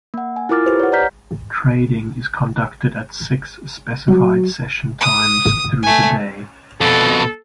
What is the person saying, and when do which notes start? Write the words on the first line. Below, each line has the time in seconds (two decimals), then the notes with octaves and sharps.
Trading is conducted at six specified session times through the day.
0.14 A#3 F#5
0.36 G#5
0.49 E4 F4 A#4 D6 F6 A6
0.66 G4 B4 C5
0.80 C#5 F#5
0.92 D5 F#5 A#5 F6 G6 B6
4.08 F#3
5.01 D#6
5.83 A3 G#5
6.81 F2 B2 A4